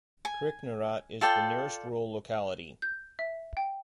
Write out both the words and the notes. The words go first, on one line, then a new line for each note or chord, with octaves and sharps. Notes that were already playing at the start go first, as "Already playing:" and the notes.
Kryknarat is the nearest rural locality.
G#5
F4 A4 D5 G5
G6
E5
G5